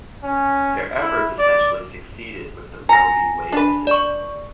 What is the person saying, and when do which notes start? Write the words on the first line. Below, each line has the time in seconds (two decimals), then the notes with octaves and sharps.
Their efforts essentially succeeded with the "Roe v Wade" decision.
0.24 C#4
1.02 E4
1.38 D5
2.89 G#5 A#5 A#6
3.52 D4 B4
3.87 D5 C#6